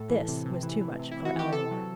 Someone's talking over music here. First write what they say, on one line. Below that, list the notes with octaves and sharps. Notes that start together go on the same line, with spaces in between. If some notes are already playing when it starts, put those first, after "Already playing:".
This was too much for Eleanor.
Already playing: A2 A4
E3
C3
C3
E3
E3
C3
E4
C3
F#4
E3 G4
C3 A4
F#3